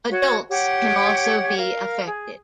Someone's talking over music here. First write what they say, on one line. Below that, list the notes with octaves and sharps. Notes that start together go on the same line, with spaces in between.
Adults can also be affected.
F#4 C#5
G4 C#5 F#5
A#4 F5
G#4